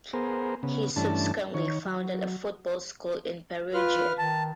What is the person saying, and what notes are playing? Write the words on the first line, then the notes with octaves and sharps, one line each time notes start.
He subsequently founded a football school in Perugia.
B3 G#4 A#4 C5
C#3 B3
G2 E3 A3 C#4 D4 A5
D#3 C#5
F#3
F4 B4 F6
D#3 A5